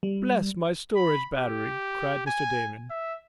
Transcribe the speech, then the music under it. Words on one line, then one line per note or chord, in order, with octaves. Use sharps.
"Bless my storage battery!" cried Mr. Damon.
G3
B5
G4
G#5
E5